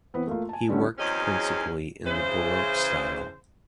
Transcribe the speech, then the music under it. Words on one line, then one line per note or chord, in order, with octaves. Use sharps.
He worked principally in the Baroque style.
E3 B3 C4 B4
A3 A#3 F4
G#5 A5
D3 G3 A3 B3 C#4
E2 F#3 C4 C#4 G#4 D#5
C#3 E3 C5